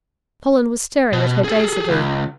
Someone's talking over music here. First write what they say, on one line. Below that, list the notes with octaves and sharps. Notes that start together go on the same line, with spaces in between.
Colin was staring at her dazedly.
B2
G#4 A4
C#2